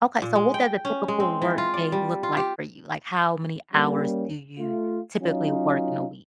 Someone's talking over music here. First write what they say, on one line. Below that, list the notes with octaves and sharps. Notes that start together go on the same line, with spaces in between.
Okay, so what does a typical workday look like for you? Like, how many hours do you typically work in a week?
A#2
G#3
G5
C#4
G#3
C4
E3
F4
D5
G3
F4
G4
G3 A#3 C#4
A3 F4
F#3 C#4 D#4 F4